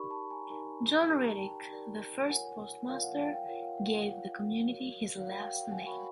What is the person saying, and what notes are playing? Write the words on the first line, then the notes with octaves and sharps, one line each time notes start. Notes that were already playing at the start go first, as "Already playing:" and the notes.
John Reddick, the first postmaster, gave the community his last name.
Already playing: D#4 G4 A#4 D5 B5 C#6
A5 B5
G#5 A#5
D#4 G4 A#4 D5 G#5 A#5
D#4 G4 A#4 D5 A5
A#5
G5 A5
D#4 G4 A#4 D5
F4 A#4 C#5 F#5 G#5
F4 A#4 C#5 F5
F#5
F5 G5
F5 G5
F4 A#4 C#5 F#5
F5
F#5
F#5
F4 A#4 C#5 F5
F#4 A#4 C#5
F5
F#4 A#4 C#5 F#5
F5 G5
F5 G5
F#5 G#5
F#4 A#4 C#5 B5 C#6